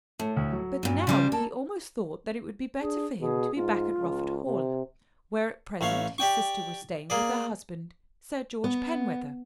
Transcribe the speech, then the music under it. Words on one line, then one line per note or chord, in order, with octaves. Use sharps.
But now he almost thought that it would be better for him to be back at Rufford Hall, where at present his sister was staying with her husband, Sir George Penwether.
A2 A3
D2
F#3
G2 A#2
C#3 G3 C5 D5 G#5
A#3 A4 A5
D4 G#4
B2 G#4
G#2 F4
C#2
C3
A1 A3 C#5 F5
G4 D5 G5 C#6
A#3 G#4 D5
B3